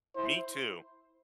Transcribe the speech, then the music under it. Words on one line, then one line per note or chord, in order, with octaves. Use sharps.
Me too.
E4 C5